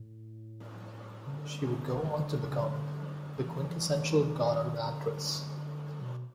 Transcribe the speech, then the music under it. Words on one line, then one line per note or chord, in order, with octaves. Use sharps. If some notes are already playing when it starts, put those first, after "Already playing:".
She would go on to become the quintessential Godard actress.
Already playing: A2
C#3
D3
D3
C#3
C#3
D3
E3
D#3
D3
B2